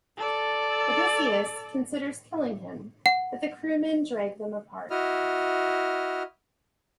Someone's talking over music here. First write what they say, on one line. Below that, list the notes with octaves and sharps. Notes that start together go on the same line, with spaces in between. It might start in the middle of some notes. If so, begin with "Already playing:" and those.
Odysseus considers killing him but the crewmen drag them apart.
A4 D5
F#5
E4 F#4 D#5 F6